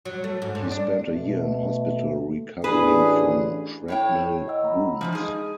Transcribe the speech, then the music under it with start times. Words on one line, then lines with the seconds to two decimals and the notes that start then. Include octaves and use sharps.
He spent a year in hospital recovering from shrapnel wounds.
0.05 F#3
0.24 A3
0.42 G#2
0.55 G2
0.72 D4
1.12 B2 A3
2.64 A1 D4 G#4 B4
3.88 A2 C#5 G5
4.47 D#5 F#5 E6
4.64 A#5 B5
5.01 F3 E4 F4 G#5
5.13 G#3 D#4 G#4